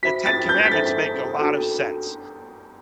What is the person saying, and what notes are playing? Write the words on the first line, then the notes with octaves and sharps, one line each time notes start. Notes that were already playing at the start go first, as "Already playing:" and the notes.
Eh, The Ten Commandments make a lot of sense,
F#4 C5 E5 B5 B6
A6
G6
B6
A4 C5 E5 A6
D4 F#4 A4